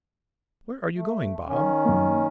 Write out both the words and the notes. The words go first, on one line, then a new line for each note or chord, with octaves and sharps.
"Where are you going, Bob?"
A3
D#3 C#4
F#2 A#3